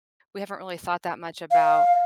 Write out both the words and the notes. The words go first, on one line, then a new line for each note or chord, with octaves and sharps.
We haven't really thought that much about
F5